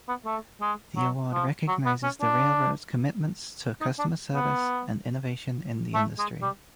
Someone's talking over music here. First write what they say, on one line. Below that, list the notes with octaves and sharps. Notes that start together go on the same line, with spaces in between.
The award recognizes the railroads' commitments to customer service and innovation in the industry.
B3
A3
G#3
F#3
F3
F#3
B3
C#4
D4
D#4
D4
B3
A3
G#3
G3